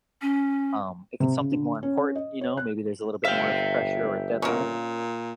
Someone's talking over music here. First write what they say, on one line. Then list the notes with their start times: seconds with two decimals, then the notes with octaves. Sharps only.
Um, If it's something more important, you know, maybe there's a little bit more of pressure or a deadline.
0.22 C#4
1.20 C3
1.38 C#3
1.52 D3
1.83 C#4
2.15 D#5
2.41 C#5
2.57 F#6
3.25 G1 E5 F5 G5
4.42 A#2 A#3 C#4